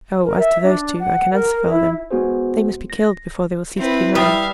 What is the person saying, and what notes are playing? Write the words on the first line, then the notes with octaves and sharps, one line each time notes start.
"Oh, as to those two, I can answer for them; they must be killed before they will cease to be mine."
A#4
E5
D4
F#5
A#4
E4
G#3 B3 F#4 G#4 C5
A#6
C4 E4 B4
G3 B4 E5 F5 D#6